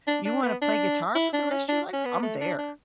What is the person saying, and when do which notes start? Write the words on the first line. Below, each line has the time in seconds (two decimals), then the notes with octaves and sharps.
You wanna play guitar for the rest of your life? I'm there.
0.07 D4
0.25 D4
0.43 B3
0.62 D4
1.15 E4
1.33 D4
1.51 C#4
1.69 D4
1.93 C#4
2.05 B3
2.23 A3
2.41 D4
2.59 D4